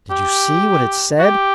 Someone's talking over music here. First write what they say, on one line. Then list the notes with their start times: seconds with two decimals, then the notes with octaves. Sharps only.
Did you see what it said?
0.11 G4
1.19 F#4
1.24 G4